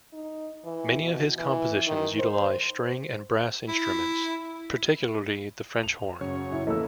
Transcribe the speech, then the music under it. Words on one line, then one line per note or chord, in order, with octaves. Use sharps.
Many of his compositions utilize string and brass instruments, particularly the French horn.
D#4
E3
B2
E3
D#3
C5
E4
F7
F#2 C#3 C#5
E4
E3 A3 A#3 E6